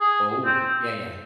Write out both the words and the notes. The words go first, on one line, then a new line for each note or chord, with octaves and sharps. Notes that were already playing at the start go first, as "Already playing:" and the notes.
Oh, yeah, yeah.
G#4
C4